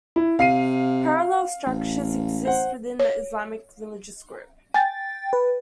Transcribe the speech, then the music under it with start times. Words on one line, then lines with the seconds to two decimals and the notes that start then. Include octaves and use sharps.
Parallel structures exist within the Islamic religious group.
0.16 E4
0.39 C3 F5 C7 D#7
1.66 A1
2.45 C5 F#5
2.99 C#5
4.74 G5 G#5 A6
5.33 B4